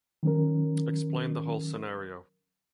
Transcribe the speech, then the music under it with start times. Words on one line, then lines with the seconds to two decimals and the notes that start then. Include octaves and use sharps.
Explain the whole scenario.
0.23 D#3 F#3 C#4 A#4